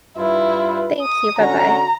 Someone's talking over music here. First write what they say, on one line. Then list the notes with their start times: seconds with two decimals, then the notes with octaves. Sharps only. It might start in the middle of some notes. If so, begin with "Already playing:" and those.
thank you, bye-bye.
0.18 G2 E4 F4 B4
1.01 D#6
1.39 D3 C#4 F#4 A#5